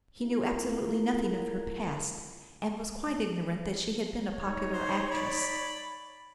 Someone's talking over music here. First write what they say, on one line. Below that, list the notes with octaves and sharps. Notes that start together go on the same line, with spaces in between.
He knew absolutely nothing of her past, and was quite ignorant that she had been a popular actress.
G#3 A3 E4 F4 A#4
D#4 C#5
C5
D5 B5